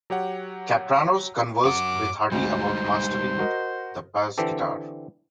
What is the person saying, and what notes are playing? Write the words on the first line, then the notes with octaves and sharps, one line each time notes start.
Kapranos conversed with Hardy about mastering the bass guitar.
F#3 G4 C#5 F#5
F#2 F#3 F#5 D6
D2 G3 G#3 D#4 C5
F#4 A#4 D#5
D3 E3 C4 G4 A4